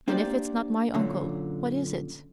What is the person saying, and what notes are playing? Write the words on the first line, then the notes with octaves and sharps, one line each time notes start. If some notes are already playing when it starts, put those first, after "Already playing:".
"Then if it's not my uncle, what is it?"
A#3 D4 G4 C5 D5
F#2 A#2 D3